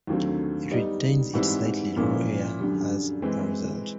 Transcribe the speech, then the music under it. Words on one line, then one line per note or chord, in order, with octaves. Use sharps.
It retains its slightly rural air as a result.
D#2 D3 F#3 A3 C4
G3 B3 D#4
G#2 E3 G3 C4 E4
A#2 F3 A#3 C#4 E4
F#2 D3 G3
E3 G#3 C4 E4